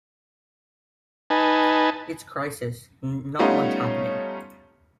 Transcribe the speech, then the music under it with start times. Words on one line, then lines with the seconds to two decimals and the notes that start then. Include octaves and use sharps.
Its crisis: not much happening.
1.30 D#4 B4 G#5 A5
3.39 G3 A3 B3 C#4 D#4 F4